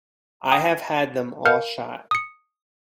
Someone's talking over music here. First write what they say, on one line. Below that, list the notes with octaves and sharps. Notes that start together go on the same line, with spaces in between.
I have had them all shot.
G5 A#5 D#6
A#4 F5 F6 G6 C#7
D#6 C#7